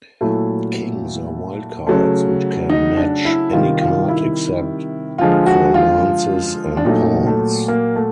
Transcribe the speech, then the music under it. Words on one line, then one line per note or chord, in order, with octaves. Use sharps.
Kings are wild cards which can match any card except for lances and pawns.
A#2 F#3 A3 E4
C#3 F#3 A3
D#4
D4
E4
C3 D#3 G3 F4
F4
E4
D3 F3 G#3 F4
F#4
F4
D4
A#2 F#3 A3 D#4
A3
A#3
A3